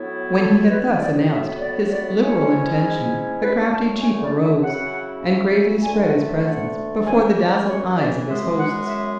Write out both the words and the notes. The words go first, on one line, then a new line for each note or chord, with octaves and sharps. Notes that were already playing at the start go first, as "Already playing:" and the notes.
When he had thus announced his liberal intention, the crafty chief arose, and gravely spread his presents before the dazzled eyes of his hosts.
Already playing: A2 F#3 B3 E4
A4
B4
A2 F#3 B3 D5
E5
D5
D5
G#2 G#3 C#4 E4 C#5
F#2 D3 A3 B4
A5
G#5
D5
E5
C#3 F#3 C#4 E4 F#5
D2 D3 A3 G#5
F#5
E5
F#5
F#2 C#3 E3 G#5
E5
D5
C#5
D5
F#2 C#3 G#3 B3 E5
F#5
E5